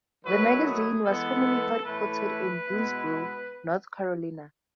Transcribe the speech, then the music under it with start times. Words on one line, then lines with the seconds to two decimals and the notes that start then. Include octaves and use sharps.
The magazine was formerly headquartered in Greensboro, North Carolina.
0.23 D#3 F#3 A3 E4 B4
0.64 G#4
1.03 E3 G#3 B3 E4 A4
1.84 A2 E3 A3 E4 B4
2.65 B2 G#3 B3 E4